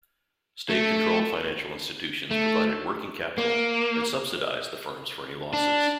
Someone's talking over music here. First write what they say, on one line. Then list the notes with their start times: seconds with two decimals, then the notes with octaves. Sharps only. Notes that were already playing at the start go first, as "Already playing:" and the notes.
State-controlled financial institutions provided working capital and subsidized the firms for any losses.
0.69 A3
2.31 A3
3.38 A#3
5.53 D4